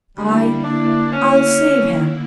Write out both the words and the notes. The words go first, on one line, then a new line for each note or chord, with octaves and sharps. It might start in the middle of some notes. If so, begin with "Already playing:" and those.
I... I'll save him.
D3 G3 A#3 E4
D4
C#4